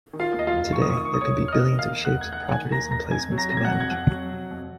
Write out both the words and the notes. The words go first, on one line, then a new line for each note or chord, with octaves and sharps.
Today, there can be billions of shapes, properties and placements to manage.
D#3
F4 F5
D#2
D#5
F4 F5
F1
F1 C#6
D#6
C#6
D#3 D#6
C#6
D#2 D#6
C#5 C#6
F1
F6
F1 D#5 D#6
D#3
F5 F6
D#2
F#5 F#6
F1
G#6
F1 F#5 F#6
D#3 G#5 G#6
D#2 A#5 A#6
F1 A#5 A#6
F2 G#5 G#6
F#3
A#5 A#6
C3 A#6
G#6
F#5 F#6
F2
G#6
F2 F#5 F#6
F#3
C3
F2